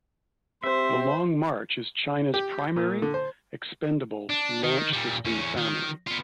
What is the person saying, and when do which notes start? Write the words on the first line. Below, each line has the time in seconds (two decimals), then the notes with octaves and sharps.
The Long March is China's primary expendable launch system family.
0.64 C4 G4 C5 E5
2.34 G4
2.76 A#2
3.02 D3
3.14 C5
4.29 D4
4.63 D#3
4.93 A#2 G3
5.25 E2 C#4
5.58 D#3
6.07 B3 F4